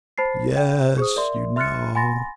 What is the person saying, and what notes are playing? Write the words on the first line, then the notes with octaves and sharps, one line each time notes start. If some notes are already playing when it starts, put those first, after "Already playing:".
Yes, you know ...
C5 A5 B5 A6 C7
G5
G#4 C5 D#6
A#4 D5 E5 C6
E5 C6 F6 F#6 A6 C#7
F#5 G#5 B5 C6 A6 A#6